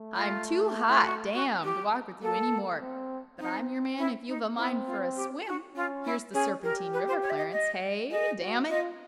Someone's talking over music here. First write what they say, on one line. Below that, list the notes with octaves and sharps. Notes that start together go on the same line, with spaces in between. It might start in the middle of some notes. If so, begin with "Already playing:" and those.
"I'm too hot, damme, to walk with you any more--but I'm your man if you've a mind for a swim--here's the Serpentine river, Clarence--hey? damn it!--hey?"
Already playing: A3
F4
E4
F4
F#4
F#4
G4
A#3 A4
A#3
C4
C4 D#4
E4
D#4
C4 E4
F4
G4
F#4
C#4 F4
E4
C#4 G#4
G4 A#4
B4
C5
C#5
E5
D#5
D#5
G#4 D#5
F#4
F4 D#5